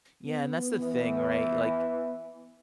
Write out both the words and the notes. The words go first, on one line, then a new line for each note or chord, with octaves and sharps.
Yeah, and that's the thing, right? Like,
B3
E3